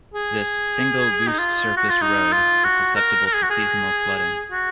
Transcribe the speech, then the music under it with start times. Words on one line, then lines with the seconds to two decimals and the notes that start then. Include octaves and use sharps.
This single loose-surface road is susceptible to seasonal flooding.
0.14 G#4
1.27 D#4
1.39 F4
1.77 F#4
1.89 F4
2.02 D#4
2.32 F4
2.64 F#4
2.96 A#4
3.26 A#4
3.35 G#4
3.42 F#4
3.50 G#4
4.52 F#4